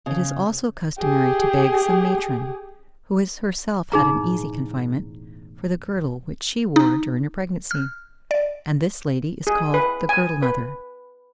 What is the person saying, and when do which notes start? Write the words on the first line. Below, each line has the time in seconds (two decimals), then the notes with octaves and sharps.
It is also customary to beg some matron, who has herself had an easy confinement, for the girdle which she wore during her pregnancy; and this lady is called the girdle-mother.
0.06 C#3
0.99 G4 G#4
3.92 E1 A2 D#4 G#4 A#5
6.76 D#4
7.71 F6
8.31 D5
9.47 G#4
9.74 B4
10.09 G#5
10.43 B4